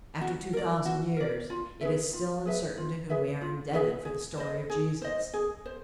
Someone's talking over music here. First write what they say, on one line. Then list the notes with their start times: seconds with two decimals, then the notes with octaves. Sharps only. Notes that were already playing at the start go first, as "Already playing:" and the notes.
After two thousand years, it is still uncertain to whom we are indebted for the story of Jesus.
0.21 F#4
0.53 A#4 D5
0.85 F#4
1.17 A#4 D5
1.50 F4
1.81 G#4 B4 E5
2.13 F4
2.45 G#4 B4 E5
2.77 F4
3.10 G#4 B4 E5
3.41 F4
3.73 G#4 B4 E5
4.05 G#4
4.38 C5 D#5
4.70 G#4
5.02 C5 D#5
5.34 G#4
5.66 C5